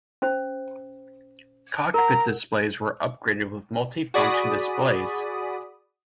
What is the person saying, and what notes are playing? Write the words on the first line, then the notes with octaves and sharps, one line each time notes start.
Cockpit displays were upgraded with multi-function displays.
C#4 C5
A#4 F#5 A#5
F#4 G#4 D5 B5 D#6